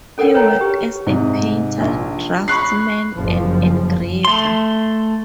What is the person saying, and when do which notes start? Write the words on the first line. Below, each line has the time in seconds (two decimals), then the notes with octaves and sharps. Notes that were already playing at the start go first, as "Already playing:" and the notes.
He worked as a painter, draftsman and engraver.
0.18 C#4 A4 A#4 F#5 G5
0.34 B4 C#5 G5 A#5
0.61 G4
1.07 G#2 C3
1.80 A#1
2.48 B5 C#6 F#6 C7
3.16 F#1 F3
4.25 A3 C6